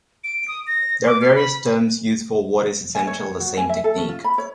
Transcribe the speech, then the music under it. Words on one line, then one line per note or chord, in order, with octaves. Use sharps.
There are various terms used for what is essentially the same technique.
D7
D#6
A#6
D6
F6
B5
G#5
C#5
C#5
F#4
G#5
E5
A4
C#4
F4
B5
C#5